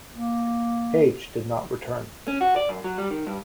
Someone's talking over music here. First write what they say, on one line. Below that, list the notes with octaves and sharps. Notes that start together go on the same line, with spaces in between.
Page did not return.
A#3
C#4
F#4
D5
F#2
F#3
G3
D#3
G2